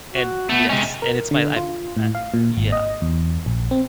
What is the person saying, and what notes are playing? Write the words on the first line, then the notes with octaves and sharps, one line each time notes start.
And yes, and it's my I've I yeah.
F#4
A3 B3
C3 G#3 C#4
A#4
D3
F4
A2
F5
A#2
G#1
D#5
E2
A#1
C4